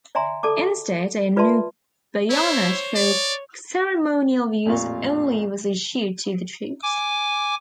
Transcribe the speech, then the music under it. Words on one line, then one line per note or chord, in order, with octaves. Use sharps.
Instead a new bayonet for ceremonial use only was issued to the troops.
D5 E5 G#5 A#5 C6
A4 D5 A5 D6
F4 B4 D5 E5 A5 C6
E4 C5 C#5
C#5 D5
A1 F2 A#2 F4 F5 C#6
G#5 D6